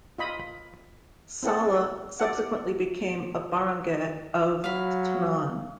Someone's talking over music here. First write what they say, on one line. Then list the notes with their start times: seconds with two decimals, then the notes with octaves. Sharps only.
Sala subsequently became a barangay of Tanauan.
0.18 F4 D#5 B5
1.43 C4 E4 A4 F#5
2.20 D5 F#5
4.64 F#3 F5 B5